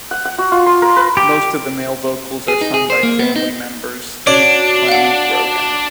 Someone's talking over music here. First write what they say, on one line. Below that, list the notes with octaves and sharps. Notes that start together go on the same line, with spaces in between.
Most of the male vocals are sung by "family" member Steve "Clem" Grogan.
F#5
F#5
F#4
F4
C6
A#4
B4
G4
G#4
D#4
G#4
C5
A#3
B3
D#4
D4 F#4 C#5 D5
F5 F#5